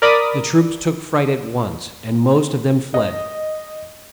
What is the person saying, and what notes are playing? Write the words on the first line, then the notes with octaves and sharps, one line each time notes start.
The troops took fright at once, and most of them fled.
A#4 D5 B5 D6 D#6
D#5